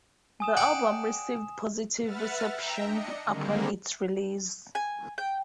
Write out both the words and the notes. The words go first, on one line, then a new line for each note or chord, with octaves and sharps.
The album received positive reception upon its release.
G#5 D#6 E7
D5 F#5 G5
B4 E5 F#5 F6 A6
E5 G5 A#5
D4 D#5 C#7
D3 D#3 G3 G#3 A#3 C4
G#5
G5